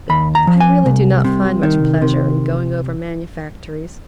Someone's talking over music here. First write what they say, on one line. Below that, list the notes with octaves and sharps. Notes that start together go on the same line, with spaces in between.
But I really do not find much pleasure in going over manufactories.'
D#2 B5
A#5
F3
G#5
C2
C3
D#3
C3